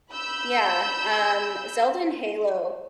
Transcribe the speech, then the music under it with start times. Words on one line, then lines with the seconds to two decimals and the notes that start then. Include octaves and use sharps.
Yeah, um, Zelda and Halo
0.13 B5 E6 G6